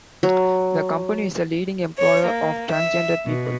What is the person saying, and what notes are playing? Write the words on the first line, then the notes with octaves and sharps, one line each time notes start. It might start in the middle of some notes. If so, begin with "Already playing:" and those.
The company is a leading employer of transgender people.
F#3
C#5
A#3
E5
B2